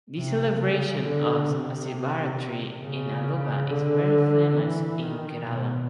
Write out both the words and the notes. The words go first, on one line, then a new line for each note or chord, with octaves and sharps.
The celebration of Sivarathri in Aluva is very famous in Kerala.
C3
C#3
D3
C3
C#3
D3
E3
D#3
B2